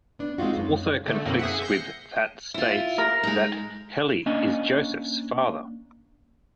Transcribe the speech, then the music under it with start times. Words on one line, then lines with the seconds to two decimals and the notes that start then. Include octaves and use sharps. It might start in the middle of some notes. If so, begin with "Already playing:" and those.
This also conflicts with that states that Heli is Joseph's father.
0.19 B3 D4
0.38 G#3 C4 D#4 F4 F#4
0.56 F#2
1.07 D3 A3
1.25 F#2 B2 A#3 C4 D#4
1.39 G#4 E5 F#5
1.62 G6 A#6 C7 C#7
2.54 E4 F4
2.98 A#4
3.23 G#3 D#4
4.26 A#3 C#4 D4 D#5 G#5